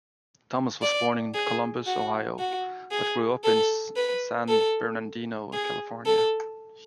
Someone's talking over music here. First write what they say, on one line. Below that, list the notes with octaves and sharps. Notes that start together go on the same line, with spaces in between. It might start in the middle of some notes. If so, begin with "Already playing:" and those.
Thomas was born in Columbus, Ohio, but grew up in San Bernardino, California.
D5
G#4
F#4
F#4
G#4
A4
B4
A4
G#4
A4